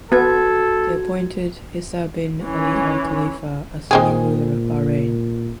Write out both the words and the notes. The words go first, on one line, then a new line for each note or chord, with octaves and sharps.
They appointed Isa bin Ali Al Khalifa as the new ruler of Bahrain.
B3 F#4 A4 G#6
E3 C#4
A#2 G#3 C4 G#4